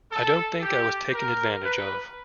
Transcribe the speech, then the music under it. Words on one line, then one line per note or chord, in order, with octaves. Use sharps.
I don't think I was taken advantage of.
A4
G4
A#4
B4